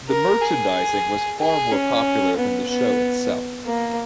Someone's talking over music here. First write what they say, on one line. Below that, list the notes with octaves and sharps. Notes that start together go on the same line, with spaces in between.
The merchandising was far more popular than the show itself.
A#4
G#4
G#4
C#4
B3
B3
A#3